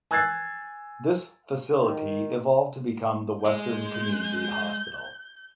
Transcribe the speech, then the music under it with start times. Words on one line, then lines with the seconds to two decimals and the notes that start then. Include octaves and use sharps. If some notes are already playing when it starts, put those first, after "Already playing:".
This facility evolved to become the Western Community Hospital.
0.11 G#5 E6 F#6 G#6 A6 C7
1.82 D#3
3.45 G#3 G6